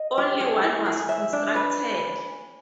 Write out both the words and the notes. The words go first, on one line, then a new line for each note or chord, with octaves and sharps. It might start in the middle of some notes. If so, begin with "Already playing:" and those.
Only one was constructed.
Already playing: D#5
G4
G#4
E4
G#4
E5
D4
B4